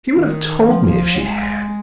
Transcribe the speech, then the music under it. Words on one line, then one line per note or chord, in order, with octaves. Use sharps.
She would have told me if she had.
D#3
F3
G#3